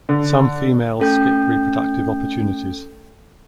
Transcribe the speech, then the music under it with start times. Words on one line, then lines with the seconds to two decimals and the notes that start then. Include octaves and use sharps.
Some females skip reproductive opportunities.
0.09 D3
1.00 A3 C#4 A4 G5 G6